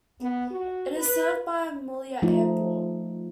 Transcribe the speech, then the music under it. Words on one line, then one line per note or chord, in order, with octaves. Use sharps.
It is served by Mouila Airport.
B3
F#4
B4
F3 A3 D#4 F4